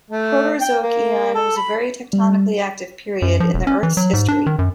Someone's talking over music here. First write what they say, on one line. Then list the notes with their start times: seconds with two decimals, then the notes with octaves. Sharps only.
The Proterozoic Eon was a very tectonically active period in the Earth's history.
0.11 A3
0.61 G5
0.83 A#3
1.34 A4
1.57 B5
2.13 G3
3.22 F#2
3.40 F3
3.54 E1
3.67 C#4
3.83 E3
3.97 F#3
4.13 G#2
4.28 D4
4.46 D#3
4.59 F#2